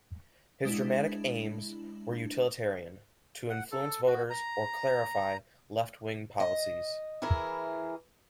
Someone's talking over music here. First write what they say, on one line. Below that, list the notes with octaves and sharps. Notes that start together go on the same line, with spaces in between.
His dramatic aims were utilitarian - to influence voters or clarify left-wing policies.
G#3 D4 E4
F#5
A4
F#4
A#5
D#5
E3 E4 G#4 A#4